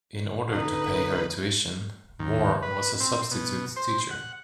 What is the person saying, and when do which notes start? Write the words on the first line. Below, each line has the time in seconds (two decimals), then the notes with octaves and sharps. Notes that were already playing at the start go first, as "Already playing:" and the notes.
In order to pay her tuition, Moore was a substitute teacher.
0.49 D3 D#4 B4
2.19 D#2
2.63 B4
3.00 C4
3.31 B2
3.76 C5
4.10 F#5